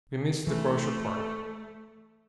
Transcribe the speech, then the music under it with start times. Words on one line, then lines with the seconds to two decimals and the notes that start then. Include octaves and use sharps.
We miss the Crozier Party.
0.47 E3 A3